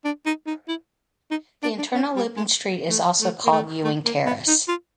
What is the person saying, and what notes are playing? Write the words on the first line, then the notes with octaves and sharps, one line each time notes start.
The internal looping street is also called Ewing Terrace.
D4
D#4
D#4
E4
D#4
D4
D4
C#4
G3
G#3
A3
A3
A#3
A3
A3
A#3
B3
D#4
F4